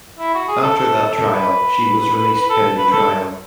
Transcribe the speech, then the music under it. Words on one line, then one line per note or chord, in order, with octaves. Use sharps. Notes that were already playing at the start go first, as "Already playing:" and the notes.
After that trial she was released pending trial.
E4
F#4
G#4
A4
A4
A4
B4
B4
A4
B4
A4